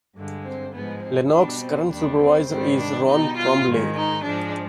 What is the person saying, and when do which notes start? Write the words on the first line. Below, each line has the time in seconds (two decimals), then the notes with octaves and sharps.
Lenox's current Supervisor is Ron Trombly.
0.16 G2 D3 G#3
0.45 C4
0.74 G#2 F3 G#3 B3
1.03 C4
1.33 B2 G3 D4
1.62 C4
1.91 D#2 D#3 G3 D4
2.20 C4
2.49 G#2 D#3 G3 C4
2.79 D4
3.07 B2 G3 D#4
3.37 F4
3.66 G#2 D#3 G#3
3.96 D#4
4.24 G#2 F3 G#3 D4